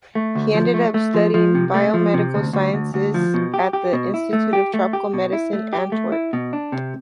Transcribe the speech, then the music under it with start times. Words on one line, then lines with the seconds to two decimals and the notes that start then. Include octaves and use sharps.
He ended up studying biomedical sciences at the Institute of Tropical Medicine Antwerp.
0.15 A3
0.35 D2
0.54 F3
0.74 A3
0.94 A3
1.14 F3
1.34 F3
1.55 C3
1.74 A3
1.94 F3
2.14 C3
2.34 D2
2.53 D2
2.74 D2
2.94 D2
3.14 F3
3.34 B2
3.54 G4
3.73 G4
3.93 B2
4.14 E4
4.33 A3
4.53 G4
4.74 A3
4.93 G4
5.14 B2
5.33 E4
5.53 A3
5.73 G4
5.92 A3
6.12 E4
6.33 B2
6.53 D4
6.72 C3